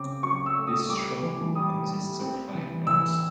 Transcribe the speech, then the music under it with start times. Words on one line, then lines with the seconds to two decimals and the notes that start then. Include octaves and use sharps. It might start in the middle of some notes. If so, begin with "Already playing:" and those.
This short book consists of five parts.
Already playing: C#3 C4 D6
0.23 F#3 C#6
0.46 E6
0.57 A3
0.67 D#6
0.89 G3 D6
1.23 E3
1.55 G3 D#6
1.88 G3
2.21 C4
2.55 E3
2.87 E3 E6